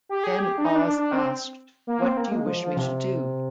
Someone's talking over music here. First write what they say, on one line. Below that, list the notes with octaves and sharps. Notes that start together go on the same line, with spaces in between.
Then Oz asked, "What do you wish me to do?"
G4
G#4
G4
D4
D#4
D4
D4
D4
C4
A#3
C4
A#3
G#3
F3
F3
C3